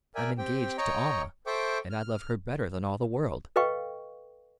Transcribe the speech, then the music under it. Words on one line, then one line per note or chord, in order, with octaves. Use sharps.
I'm engaged to Almah, and I love her better than all the world.
A#4 D5 E5 G5 G#5
C4 G4 G5
C#5 D#5 G5 A#5 C#6
A4 C5 E5 G5 C#6 D6
F6
A4 B4 D#5 F5 G5 C#6